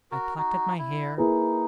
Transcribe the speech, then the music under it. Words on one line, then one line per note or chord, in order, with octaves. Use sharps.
I plucked at my hair.
F#4 A#4
D#4 F#4
E4
A#3 D#4 E4 G#4 B4